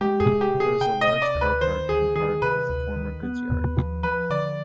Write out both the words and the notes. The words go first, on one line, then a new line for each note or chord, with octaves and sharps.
There is a large car park in part of the former goods yard.
G#3 G4
G#4
C3
G4
C3
G#4
C3 G5
D#5
C3
D5
D2
B4
D#3 C5
D2 G#4
D#3 G#4
C3 B4
D2
D#3
B3
D#2
F3
F3 B4
D3 D5